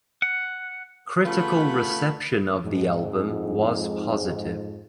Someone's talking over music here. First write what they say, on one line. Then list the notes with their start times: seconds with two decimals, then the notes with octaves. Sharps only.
Critical reception of the album was positive.
0.22 F#5
1.25 C#3 A3 F4 B4 F#5 B5
2.63 F2 G#2